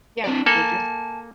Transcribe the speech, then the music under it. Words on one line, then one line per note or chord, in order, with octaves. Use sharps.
Yeah, they just
C4 D4 D5
A#3 A4 G#5 A5